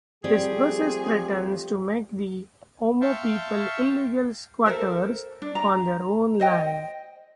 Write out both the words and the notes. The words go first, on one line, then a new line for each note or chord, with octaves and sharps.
This process threatens to make the Omo people 'illegal squatters' on their own land.
F3 G3 A3 C4 G4 G#4
E5 F5 G5 A5 C6 C#6
A4 A#4 C5 E5
D4
A#5
C5 D#5 G5